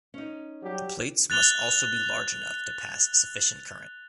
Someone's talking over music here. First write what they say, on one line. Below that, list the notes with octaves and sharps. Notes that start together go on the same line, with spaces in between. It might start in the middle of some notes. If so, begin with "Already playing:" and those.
The plates must also be large enough to pass sufficient current.
C#4 D#4
F#3 G3 G4
F#6 A6 F7 G7